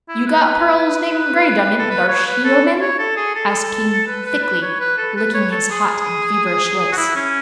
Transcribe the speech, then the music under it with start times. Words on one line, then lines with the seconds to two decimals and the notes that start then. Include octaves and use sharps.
"You got Pearl's name 'graved on it, Darcy, ole man?" asked King, thickly, licking his hot and feverish lips.
0.09 E4
0.27 B4
1.36 B4
1.79 A4
1.90 B4
2.08 C#5
2.26 B4
2.44 A4
2.81 C#5
2.99 A4
3.17 G#4
3.35 A4
4.07 B4
4.26 B4
4.44 B4
4.62 C#5
4.80 B4
4.98 A4
5.16 B4
5.34 C#5
5.52 A4
5.71 G#4
6.79 G#4
6.92 F#4
6.97 E4
7.16 C#4